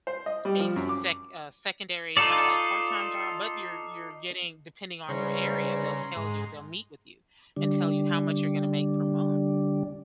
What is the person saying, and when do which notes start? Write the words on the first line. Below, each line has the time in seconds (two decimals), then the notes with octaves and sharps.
a sec a secondary kinda, like, part-time job, but you're you're getting depending on your area, they'll tell you they'll meet with you and tell you how much you're gonna make per month.
0.07 C5
0.26 D#5
0.45 G3
0.60 F3
0.76 F#2
0.89 D6
2.17 D#4 F4 A4 D5
5.09 G#2 C#3 E3 G3 A#5 C6
6.16 G#2
7.57 D3 G3 D4